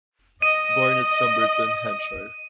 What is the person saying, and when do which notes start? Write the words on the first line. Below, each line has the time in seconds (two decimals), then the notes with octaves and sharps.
Born at Soberton, Hampshire.
0.42 D#5 D#6 D#7